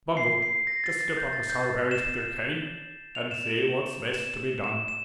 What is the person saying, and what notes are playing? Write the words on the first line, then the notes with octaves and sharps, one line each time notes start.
Bumble, just step up to Sowerberry's with your cane, and see what's best to be done.
C7
C7
A#6
A6
A6
G6
A6
G6
A6
E7
F7
E7
E7
E7
E7
E7